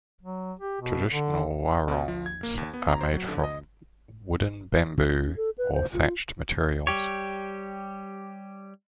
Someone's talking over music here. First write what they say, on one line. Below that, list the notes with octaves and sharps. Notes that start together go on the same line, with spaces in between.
Traditional warungs are made from wooden, bamboo or thatched materials.
F#3
G4
B2
D3
B2
F3
G#6
A#3
D#2
B3
A#5
C5
F#3
D3
D#5
C#4
A4
B4
C5
F4
G3 G4 C#5